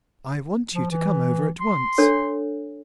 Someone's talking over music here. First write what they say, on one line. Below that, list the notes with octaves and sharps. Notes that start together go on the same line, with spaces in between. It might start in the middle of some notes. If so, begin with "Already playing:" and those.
"I want you to come over at once."
F3
E3
C6
D4 A4 C#5